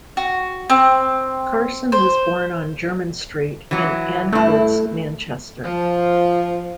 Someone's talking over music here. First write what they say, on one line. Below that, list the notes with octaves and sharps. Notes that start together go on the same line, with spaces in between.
Carson was born on German Street in Ancoats, Manchester.
F#4
C4
C5
E3 F#3
G2 A3 E4
F3